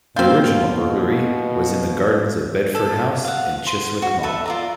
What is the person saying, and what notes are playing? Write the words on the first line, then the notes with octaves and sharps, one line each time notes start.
The original brewery was in the gardens of Bedford House in Chiswick Mall.
B2 A#3 C4 F4 F5 G6
A4
F5 F#5
C6
F#4
A4 B4 E5
F4 D5 A#5